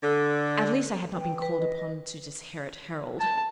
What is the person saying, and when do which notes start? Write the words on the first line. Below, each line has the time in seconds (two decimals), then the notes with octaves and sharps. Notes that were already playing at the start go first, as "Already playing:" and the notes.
At least, I had not been called upon to disinherit Harold.
0.03 D3
1.13 E3 G5
1.42 B4
1.59 D#5
3.20 A5